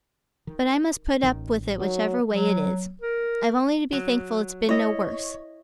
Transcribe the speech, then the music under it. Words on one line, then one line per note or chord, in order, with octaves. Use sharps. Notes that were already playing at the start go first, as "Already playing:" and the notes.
But I must put up with it whichever way it is--I've only to be thankful it's been no worse.
D#3
A1 D#3
D#3 F#3
F#3
A#4
F#3
E4 C#5 D#5